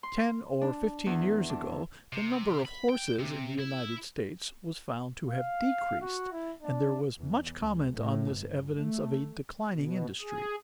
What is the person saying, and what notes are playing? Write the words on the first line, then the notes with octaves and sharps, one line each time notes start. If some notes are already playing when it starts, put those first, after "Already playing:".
Ten or fifteen years ago the number of horses in the United States was found to have decreased, and there was much comment on this evidence of a declining industry.
C6
D4
E2
D4
C3
B5
G5
C3
E4
F5
F#4
E4
D4
E2
C#2
A2
G1
A3
B2
G#4